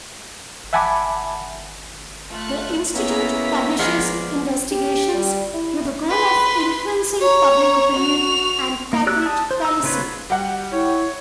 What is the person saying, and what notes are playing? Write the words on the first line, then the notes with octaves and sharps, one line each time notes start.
The Institute publishes investigations with the goal of influencing public opinion and corporate policy.
E5 F#5 G#5 A5 B5 D6
A3 F4 F#6
A#3 B3 C#4 E4 A#5 B6
F3 G#3 B3 D5
G4
G3
E4
B4 C6
C#5 A#5
F#4 F7
A#3
F#4 G4 D5 E6 F#6
A5 D#6
C5
E6
C#3 B3 F4 B4 C#5
G3 F#4 G4 F#5
E4 C#5